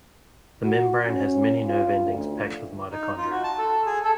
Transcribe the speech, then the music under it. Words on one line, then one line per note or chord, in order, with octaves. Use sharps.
The membrane has many nerve endings packed with mitochondria.
F#4
C#4
F4
D2
D#4
F4
F#4
A5
A4
G#4
A4